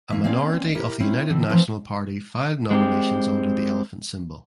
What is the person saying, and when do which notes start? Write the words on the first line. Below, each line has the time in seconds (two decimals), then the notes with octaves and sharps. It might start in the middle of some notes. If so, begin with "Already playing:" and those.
A minority of the United National Party filed nominations under the elephant symbol.
0.10 E2 A#3 B3 E5
0.24 A#3 C4 C#4 D5 F5
0.75 E4 G4 A#4
1.00 C4 C#4 E4
1.30 D3 E3 C4
1.49 E3 F3 C4 D#4 B4 C5
2.71 G#3 C4 G4